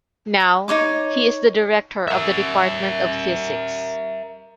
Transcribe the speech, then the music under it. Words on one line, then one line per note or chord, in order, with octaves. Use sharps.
Now, he is the director of the Department of Physics.
D#4 C5 C#5 D6
A#4 E5